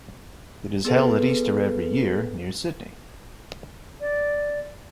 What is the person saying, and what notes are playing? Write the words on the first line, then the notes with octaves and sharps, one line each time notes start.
It is held at Easter every year, near Sydney.
B3 G#4 A4 B4
D5